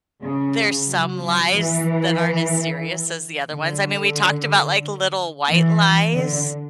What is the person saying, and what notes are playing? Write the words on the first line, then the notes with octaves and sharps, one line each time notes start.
there's some lies that aren't as serious as the other ones? I mean, we talked about, like, little white lies.
C#3
F#3
F#3
E3
D3
E3
D3